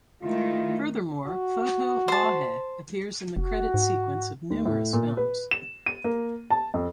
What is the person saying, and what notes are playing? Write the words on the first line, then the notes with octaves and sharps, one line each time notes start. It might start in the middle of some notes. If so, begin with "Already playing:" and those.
Furthermore Photo vahe appears in the credit sequence of numerous films.
D#3 G#3 A3 E4 F4
F#4
C5 A5
F1 F#4
G#2
D#2
A2
A#2
B4
E7
D#7
A#3
A5
F2